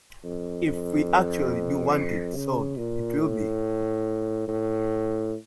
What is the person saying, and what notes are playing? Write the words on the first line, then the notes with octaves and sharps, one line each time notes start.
If we actually do want it solved, it will be.
F2
F2
C#3
A#2
A2
A2